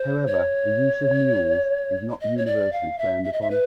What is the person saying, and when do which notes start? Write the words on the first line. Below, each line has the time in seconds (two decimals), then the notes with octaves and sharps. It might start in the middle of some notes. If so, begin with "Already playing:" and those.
However, the use of mules is not universally frowned upon.
Already playing: C5
0.27 C#5
2.21 D#5
2.37 C#5
2.46 D5
2.72 F5
2.99 E5
3.24 E5
3.33 D#5
3.41 E5
3.50 B4